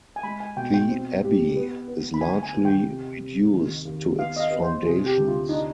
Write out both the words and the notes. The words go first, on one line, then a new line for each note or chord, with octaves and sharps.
The abbey is largely reduced to its foundations.
G#5
G#3 B5
G#5
B2 G5
G5
C4
G4
B3
B3
B5
D3 G#5
G#5
D#2
G5
C3
C3
D#2
D#2
B3 F5
D#5
F5
B3
C5
C3 G#4
G4
D2
F4
D4 D#4